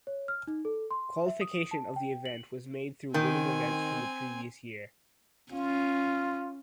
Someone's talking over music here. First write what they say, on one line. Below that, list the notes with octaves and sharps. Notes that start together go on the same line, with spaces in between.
Qualification of the event was made through winning events from the previous year.
C#5
F6
D#4
A4
C6
E5
D#6
A5
G5
F#7
D#3 C4 G#5
C#4 F4